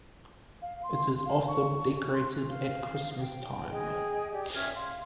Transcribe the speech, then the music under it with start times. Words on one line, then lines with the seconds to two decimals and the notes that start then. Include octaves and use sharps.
It is often decorated at Christmas time.
0.62 F5
0.83 C6
1.26 F5
1.48 C#6
2.13 C6
2.50 F5
3.21 G5
3.71 G#4 D#5 G5
4.32 G4 D5
4.54 C#4 E5 F6 G#6
4.75 F5 C6